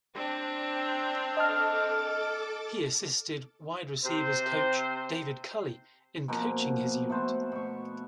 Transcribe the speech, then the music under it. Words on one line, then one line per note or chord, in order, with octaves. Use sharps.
He assisted wide receivers coach David Culley in coaching his unit.
C4 D4
A4 D#5 A5 D6 F6 A6
C3 C5
B2 F3 A#3 C4
A3 B3 F#4 C5
B2 C#6